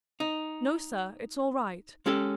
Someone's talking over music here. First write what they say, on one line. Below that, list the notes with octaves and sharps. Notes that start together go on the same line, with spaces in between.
"No, sir, it's all right."
D#4
G#3 C#4 G4 A4